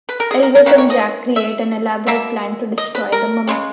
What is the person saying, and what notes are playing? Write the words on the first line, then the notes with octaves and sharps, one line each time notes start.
Elvis and Jack create an elaborate plan to destroy the mummy.
B4
A#4
G#4
A#4
A#4
D#3 A#3 C#4 B4
C#5
D#5
E5
B2 A#3 E5
D#5
B4
A#4
C#3 G#3 C#4